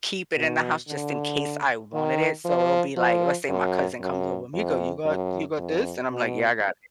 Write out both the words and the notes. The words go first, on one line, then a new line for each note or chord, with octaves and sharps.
keep it in the house just in case I wanted it. So it'll be like, let's say my cousin comes over, "Me go, you got you got this?" And I'm like, "Yeah. I got it."
B2
D3
D#3
F3
F3
F#2
F#2
F2
F#2
F2
B2